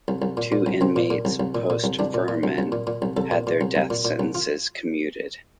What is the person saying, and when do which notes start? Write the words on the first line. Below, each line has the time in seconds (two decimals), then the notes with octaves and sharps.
Two inmates post-"Furman" had their death sentences commuted.
0.08 C2
0.22 C2
0.37 A#2
0.52 A#2
0.66 C2
0.81 C2 C4
0.96 A#2
1.10 A#2
1.25 C2
1.40 C2
1.55 A#2
1.70 A#2
1.84 C2
1.99 C2 D4
2.14 A#2
2.28 A#2
2.43 C2
2.58 C2
2.72 A#2
2.87 A#2
3.02 C2
3.17 C2 A4
3.31 A#2
3.47 A#2
3.61 C2
3.75 C2
3.90 A#2
4.05 A#2
4.20 C2
4.35 F4